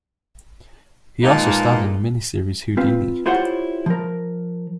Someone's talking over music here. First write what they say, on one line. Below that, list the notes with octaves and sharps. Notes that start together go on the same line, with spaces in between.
He also starred in the miniseries "Houdini".
A#2 G#3 A#3 D#4 B4 A5
C4 F4 B4
E4 F4 G4 C5 C#5 F#5
F3 A#4